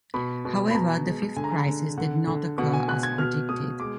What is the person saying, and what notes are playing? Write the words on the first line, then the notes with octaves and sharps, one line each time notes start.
However, the Fifth Crisis did not occur as predicted.
B2 B5
B2
B5
B2 A#5
G#3
D3 G#5
A#5
G#5
D3
D3 F#5
D3
B2 F#5
G#5
B2 F#6
G#6
B2 F6
B2 D#6
G#3 D6